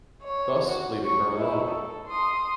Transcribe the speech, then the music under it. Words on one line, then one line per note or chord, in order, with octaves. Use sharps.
Thus leaving her alone.
C#5
F#4
C#5 C#6
D#4 E4
A4
C6 D#6